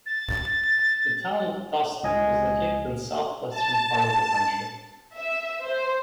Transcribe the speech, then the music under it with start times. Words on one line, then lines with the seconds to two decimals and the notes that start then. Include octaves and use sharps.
The Town of Tusten is located in southwestern part of the county.
0.06 A6
2.03 C#2 D#5 G#5
3.50 A5
5.16 E5
5.63 C5